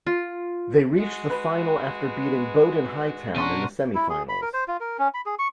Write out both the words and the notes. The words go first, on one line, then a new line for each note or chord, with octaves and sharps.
They reached the final after beating Bowden Hightown in the Semi Finals.
F4
G#3 F#4
B4
B2 C#4 D4 F#5 A#5 C6 C#6 D#7
E4
G#4
B5
A#4
C5
F4
A#4
C#4
B5
G#4
C#6